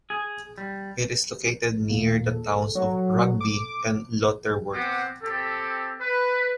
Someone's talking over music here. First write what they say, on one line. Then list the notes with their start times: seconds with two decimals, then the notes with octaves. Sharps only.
It is located near the towns of Rugby and Lutterworth.
0.10 G#4
0.58 G3
1.89 D#2 A#2 A#3
2.33 A4
2.75 F#3
3.41 D6
4.74 B3 C4 F#5 G5 D6
5.22 C4 G4 A4
6.00 B4